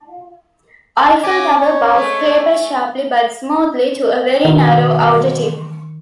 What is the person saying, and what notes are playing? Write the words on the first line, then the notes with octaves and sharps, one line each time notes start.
"Eiffel Tower" bows taper sharply, but smoothly, to a very narrow outer tip.
C#4 G#5 D6
C#5
G#3 A3
B2 D#3